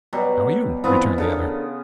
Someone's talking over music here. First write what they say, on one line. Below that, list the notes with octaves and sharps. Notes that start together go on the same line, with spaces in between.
"How are you?" returned the other.
B2 F#3 G3
E3 B3 C4 F4 B4
C#3 D4 A4 A#4